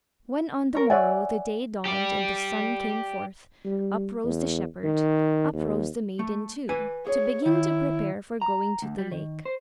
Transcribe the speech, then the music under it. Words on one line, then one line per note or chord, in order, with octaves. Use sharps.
When, on the morrow, the day dawned and the sun came forth, up rose the shepherd, up rose the maiden too, to begin to prepare for going to the lake.
C#4 A#4
C#5 D5 E5 F#5 G#5
G4 D5
G3
E2
D#3
D#2
A3
B4 G#5
G#4 C#5
D#3 E4
A#5
D2
G3
D#3
C5